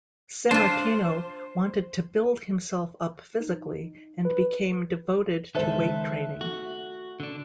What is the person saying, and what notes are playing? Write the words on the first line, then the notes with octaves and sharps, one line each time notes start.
Sammartino wanted to build himself up physically and became devoted to weight training.
D4 F4 C5
D#4
B4
C#2 D#3 A4 C5 E5 F#6
A3 F#4
D3 D4